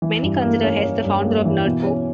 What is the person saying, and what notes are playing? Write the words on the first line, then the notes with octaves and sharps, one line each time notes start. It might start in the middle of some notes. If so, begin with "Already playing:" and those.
Many consider Hess the founder of Nerdcore.
E3
G2
A#3
C#4
C#4
G2
A#3
E3
B2
C#4